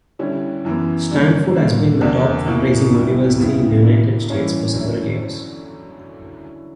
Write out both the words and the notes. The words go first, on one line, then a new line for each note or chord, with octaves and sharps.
Stanford has been the top fundraising university in the United States for several years.
D3 G3 C#4 E4
F#2 E3 B3
G2 D3 A#3 C#4
G2 D3 A#3
E2 D3 A#3 D4
B2 A#3 E4
D3 G3 B3 E4
C#3 G3 B3 E4
D3 A#3 E4
G2 E3 A#3 C#4 E4
D3 F#3 C#4 E4